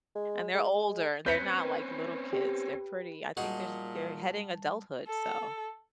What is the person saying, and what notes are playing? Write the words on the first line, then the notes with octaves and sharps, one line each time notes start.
And they're older, they're not like little kids, they're pretty. I think there's they're heading adulthood, so.
G#3
G#3
G#3
C4 C#4 B4 G6 B6 C#7
G4
A#2 G3 D#4 F#4 G#4 A5
A4